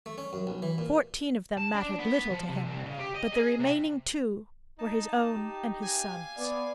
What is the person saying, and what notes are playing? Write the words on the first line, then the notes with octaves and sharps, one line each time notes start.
Fourteen of them mattered little to him, but the remaining two were his own and his son's.
A3
C#4
F#2
B1
E3
A#2
A5
D4
B3
F3
C3
C2
C#3
G4
D#5
G#4
C3
D#4 A5
G4
F5 G#5
B3 D5